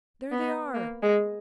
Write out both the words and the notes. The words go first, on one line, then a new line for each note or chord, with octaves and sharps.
There they are...
B3
A#3
G#3